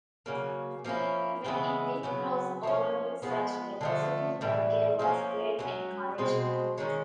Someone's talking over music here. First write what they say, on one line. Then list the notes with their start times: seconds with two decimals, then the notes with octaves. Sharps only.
When it did cross over with such velocity that gave us great encouragement.
0.26 C#3 F#3 A#3
0.84 F3 A#3 C#4 E4
1.44 C#3 E3 G#3 B3
2.03 C#3 F#3 B3
2.63 F3 A3
2.67 C#4
3.22 F3 G#3 B3
3.81 D3 F3 A3
4.41 A2 E3 G3
4.99 F3 A#3 C#4
5.59 F#3 A#3 C#4
6.18 B2 G#3 C4
6.78 D#3 G#3 C#4